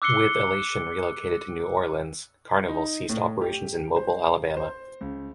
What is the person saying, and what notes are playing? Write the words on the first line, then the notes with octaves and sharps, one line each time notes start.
With "Elation" relocated to New Orleans, Carnival ceased operations in Mobile, Alabama.
D6 E6 F#6 C7 C#7 G7
D#4
A2
G4
C5
C5
C#2